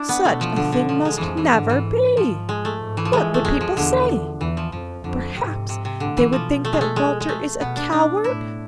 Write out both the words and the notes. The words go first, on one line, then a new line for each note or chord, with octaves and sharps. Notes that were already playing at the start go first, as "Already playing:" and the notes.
Such a thing must never be; what would people say? Perhaps they would think that Walter is a coward?'
Already playing: D4 E4
B3
B2 A3
F3
D3
D3
F3
G#3
F2 E3 F3
E3
G#2 D3
E3
G#2 F3
G#3
A3
G#2
E3
F3
E3 G#3
A3
F2 G#3
F3
E2 D3
E2 E3
F3
F2 F3
F2 D3
G#2 C3
C3
C3
A2 D3
E3
B2 F3
A3
G#3
A3
G#3
G#3
A3
B2 B3
D4
D4
A2 E4